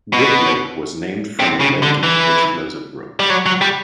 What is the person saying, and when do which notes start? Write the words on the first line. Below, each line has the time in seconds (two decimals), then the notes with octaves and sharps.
Brook Lake was named from a lake into which flows a brook.
0.13 B2
1.40 C3
1.60 C#3
1.82 D3
2.03 E3
3.20 G3
3.30 F#3
3.46 F#3
3.62 G3